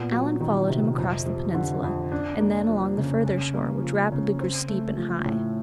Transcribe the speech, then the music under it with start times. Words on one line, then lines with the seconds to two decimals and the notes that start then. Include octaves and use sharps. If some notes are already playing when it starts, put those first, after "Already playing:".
Alan followed him across the peninsula and then along the further shore, which rapidly grew steep and high.
Already playing: A#2 B3
0.12 F#3
0.41 D#3
0.69 C3
0.98 F2
1.26 F3
1.55 D3
1.84 F2
2.12 D4
2.40 A#3
2.69 F3
2.97 C#3
3.26 C#4
3.55 A#3
3.82 F3
4.12 C#3
4.40 C4
4.68 A3
4.98 F3
5.26 A2